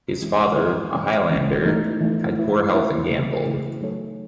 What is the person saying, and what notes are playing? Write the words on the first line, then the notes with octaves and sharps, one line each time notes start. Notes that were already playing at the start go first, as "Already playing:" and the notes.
His father, a Highlander, had poor health and gambled.
E3 G#3 C#4 E4
E3 G#3 C#4 E4
E3 G#3 C#4
E3 G#3 C#4
E3 A3 D#4
E3 A3 D#4
A3 E4 B4
A3 E4 B4
C#3 E3 A3 E4 G#4
C#3 E3 A3 E4 G#4
F#3 A3 D#4 A4 C#5